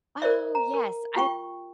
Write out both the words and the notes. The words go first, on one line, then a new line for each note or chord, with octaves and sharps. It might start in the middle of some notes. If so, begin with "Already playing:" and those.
Oh, yes, I
A#4 C5 D5 E5
A#5
A#4
F4 G4 G5 C#6